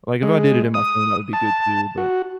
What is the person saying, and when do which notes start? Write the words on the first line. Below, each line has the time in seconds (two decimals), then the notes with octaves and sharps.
Like, if I did it in my phone, that would be good too, but
0.23 G#3
0.74 D#6
1.33 A5
1.98 F#4